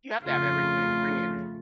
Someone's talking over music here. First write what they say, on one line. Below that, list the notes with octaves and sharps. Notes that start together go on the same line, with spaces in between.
You have to have everything, bring everything.
F2 C#3 A3 F4